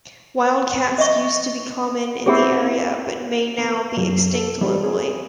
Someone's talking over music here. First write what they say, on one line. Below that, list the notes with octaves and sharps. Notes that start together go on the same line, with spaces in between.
Wildcats used to be common in the area but may now be extinct locally.
D#5 E5 C#6
B3 C4 E4 G4 G#4
B3
F#2
A4
G3
G#4